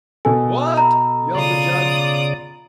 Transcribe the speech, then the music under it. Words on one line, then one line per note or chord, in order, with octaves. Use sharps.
"What!" yelled the Judge.
B2 A4 G#5
A#5 B5
C#3 F4 D5 D#6